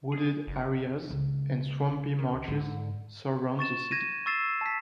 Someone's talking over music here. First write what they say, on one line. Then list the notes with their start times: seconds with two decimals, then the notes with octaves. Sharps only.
Wooded areas and swampy marshes surround the city.
0.12 G#4
0.47 F#1
1.10 C#2
2.19 D#3
2.48 G#2 D3
3.59 C#6 A6 E7
3.91 G#6 A#6 D#7
4.26 C#6 E6 A6 C7 E7
4.61 A5 B6